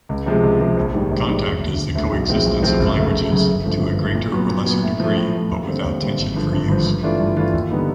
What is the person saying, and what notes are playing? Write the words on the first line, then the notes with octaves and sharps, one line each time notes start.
Contact is the coexistence of languages, to a greater or lesser degree, but without tension for use.
C#2
C3 F3 G#3
C#2
C3 F3 G#3
A#1
G#2 D#3 G3
A#1
G#2 D#3 G3
E1
D2 D3
E1
D2 D3
B1
A2 F3 G#3 C4
B1
A2 F3 G#3 C4
F#1
F#2 C#3 F#3 A3
F#1
F#2 C#3 F#3 A3
G1
G2 D3 F3 A3
G1
G2 D3 F3 A3
A#2
F#3 B3
A#2
F#3 B3
A2
F3 A3
A2
F3 A3
D#2
D3 G3 C4
D#2
D3 G3 C4
G#1
G2 D3 F3
G#1
G2 D3 F3
G2
E3 A3 D4 F4
G2
E3 A3 D4 F4
D#2
D3 G3 B3 D#4